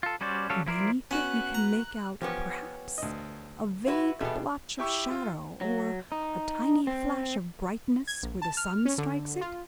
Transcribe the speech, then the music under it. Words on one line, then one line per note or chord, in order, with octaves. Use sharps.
And beneath it you can make out, perhaps, a vague blotch of shadow, or a tiny flash of brightness where the sun strikes it?
F4 A4
G3 C#4 F#4 C5 D5
F#3 G3 C#4 A4 F5
F3 E4 A#4 C5 D5
B3 C#4 F#4 F#6
A#5
F3 B3 C#4 G4
D2 D#5
E4 F#4 B4
B2 A3 B3 G4 G#4
E4 G4 C#6 E6
F4
F#3
D#4
C4
G#6
A#1
A5
F6
C#4
D3
F4